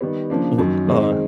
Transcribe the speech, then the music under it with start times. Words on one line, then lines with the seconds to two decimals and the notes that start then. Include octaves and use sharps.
wh or
0.01 D#3 G3 B3
0.30 C#3 F3 A#3 D4
0.58 F#2 D#3 F#3
0.87 D#3 G#3 C4 D#4